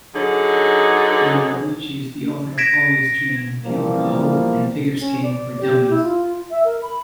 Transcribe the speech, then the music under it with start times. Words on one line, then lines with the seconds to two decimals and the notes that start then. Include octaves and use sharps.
Yamaguchi is the author of "Always Dream", "Pure Gold", and "Figure Skating for Dummies".
0.15 D3 F#3 D#4 G#4 B4
2.58 G#6 A#6 B6 D7 E7
3.64 A#2 E3 F3 G3 A#3 B3
4.99 C#4
5.23 D5
5.61 G4
5.90 E4
6.03 F4
6.51 E5
6.65 A#4
6.82 B5